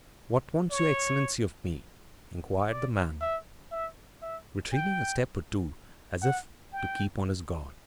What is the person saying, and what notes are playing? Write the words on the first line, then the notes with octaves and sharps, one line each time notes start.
"What wants your excellency of me?" inquired the man, retreating a step or two, as if to keep on his guard.
C#5
D5
E5
E5
E5
G5
F#5
G5